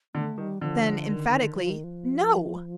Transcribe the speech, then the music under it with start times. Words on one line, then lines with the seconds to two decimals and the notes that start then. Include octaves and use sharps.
Then, emphatically, "No!"
0.15 D3 A3
0.38 D#3 G3
0.61 D3 F3
1.09 D#3
1.56 F3
1.70 D#3
1.84 F3